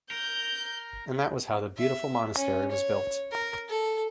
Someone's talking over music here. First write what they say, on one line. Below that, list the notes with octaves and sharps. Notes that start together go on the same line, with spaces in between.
And that was how the beautiful monastery was built.
A#4 G6
E5
C#4
C#5
A#4
A4